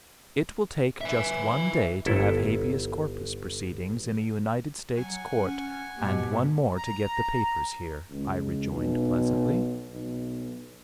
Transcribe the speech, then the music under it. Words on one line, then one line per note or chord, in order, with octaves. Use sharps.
"It will take just one day to have habeas corpus proceedings in a United States court, and one more to get the papers here," I rejoined pleasantly.
E5 G#5
G1 E4 A4
F#3 F#5 G#5 C#6
C#4
G#2 B2 G4
A#5
C#2
B1
B1